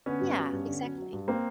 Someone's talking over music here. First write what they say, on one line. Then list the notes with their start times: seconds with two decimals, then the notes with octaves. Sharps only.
yeah, exactly.
0.06 D3 B3 C#4
0.21 G2
0.37 F#3
0.52 G2
0.67 D3
0.82 F#3
0.97 F#3
1.13 G2
1.28 A#3 C4